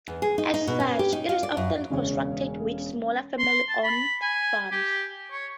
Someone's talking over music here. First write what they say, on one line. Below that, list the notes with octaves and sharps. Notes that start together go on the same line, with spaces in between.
As such, it is often contrasted with smaller family-owned farms.
E2
G#4
D#4
D#4
B2
C#4
G4
D#4
F4
D5
F#2
E1 C#3 C#4 C#5
C6
A5
B5
G#5
G4
C#5